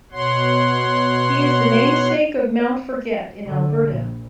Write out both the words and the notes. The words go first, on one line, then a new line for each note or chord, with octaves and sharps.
He is the namesake of Mount Forget, in Alberta.
B2 C#5 F#5 C6
D3
A#1